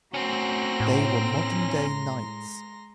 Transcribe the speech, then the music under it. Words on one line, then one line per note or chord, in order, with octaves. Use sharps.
They were modern-day knights.
A3 C4 C#4 F#4 A#5 C6 A#6
A2
G#3